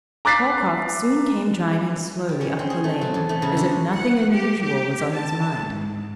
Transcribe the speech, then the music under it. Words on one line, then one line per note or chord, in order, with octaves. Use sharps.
Holcroft soon came driving slowly up the lane as if nothing unusual was on his mind.
A#5 D6 F#6 A6 B6 C7
G3
C#4
C4
G#4
A3
F#3
E2
A3
C#3
D3
F#5
G4
G4
A5
G#2